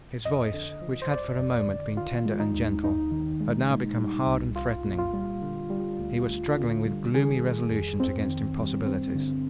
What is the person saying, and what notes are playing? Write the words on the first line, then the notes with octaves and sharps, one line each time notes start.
His voice, which had for a moment been tender and gentle, had now become hard and threatening. He was struggling with gloomy resolutions against impossibilities.
F2 D#5
D3
F3
C5
G1 D5
F2
D3
D#3 F4
G#3
D#4
D#2
D#2 D#4
D#3
G#3
A#2
G3
C2
C2 F4
A#2
F4
G3
D3
G3
D2
D2
D3
G3
D#3 G#4
G3
F2
F2 C4
D#3
G3
G2 C4
D3